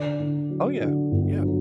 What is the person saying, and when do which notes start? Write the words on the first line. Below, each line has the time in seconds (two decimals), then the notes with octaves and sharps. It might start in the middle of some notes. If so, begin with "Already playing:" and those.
Oh, yeah. Yeah.
Already playing: D3 D5
0.20 D3
0.50 F#3
0.80 D3
1.12 G1
1.42 F#3